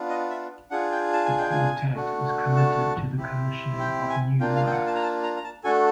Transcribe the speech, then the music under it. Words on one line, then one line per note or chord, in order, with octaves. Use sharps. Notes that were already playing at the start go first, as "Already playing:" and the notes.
The quartet is committed to the commissioning of new works.
Already playing: B3 D4 F4
D#5
E5
D4 F4 G#4 F#5
G5
A5
G#5
G5
G#5
A3 D4 F#4
A5
C4 E4 G4
G5
G#5
A#3 D4 F4 G5
F5
G5
F#5
A5
A#5
A5
A#5
A#5
A5
A3 D4 F#4 A4 G#5